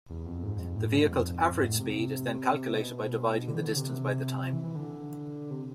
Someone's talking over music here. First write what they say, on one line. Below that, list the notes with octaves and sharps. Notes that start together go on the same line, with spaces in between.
The vehicle's average speed is then calculated by dividing the distance by the time.
E2
F2
G#2
F2
A2
G#2
F2
G#2
A2
C3
C3
B2
D3
E3
D3
C3
E3
E3
D3
C3